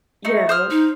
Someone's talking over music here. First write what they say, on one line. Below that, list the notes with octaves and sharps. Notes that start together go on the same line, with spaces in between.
you know,
A3 D#4
C5 D#6 F6
D#4